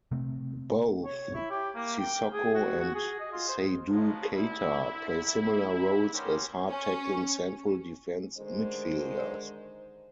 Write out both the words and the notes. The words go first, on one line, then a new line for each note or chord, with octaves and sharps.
Both Sissoko and Seydou Keita play similar roles as hard-tackling central defensive midfielders.
C3 A3 C4
C#5
E4
G4
A#3
G5
G#4
F#4
F#4
G#4
D#5
F4
C5
F3 F#3 G#3 B3 C#4
C2 D3 E4
B3 C#4 G4 A#4 C5
C#4
D3 D#3 G#3 C5